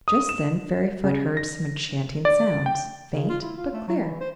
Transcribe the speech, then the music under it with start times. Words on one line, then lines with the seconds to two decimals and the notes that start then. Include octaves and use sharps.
Just then Fairyfoot heard some enchanting sounds, faint, but clear.
0.08 D#6
0.29 E7
1.04 C#3
1.37 A#6
2.25 D5
2.66 G5
3.13 C#3
3.29 F4
3.41 E4
3.57 F4
3.73 A3
3.88 F#3
4.01 E3
4.20 C5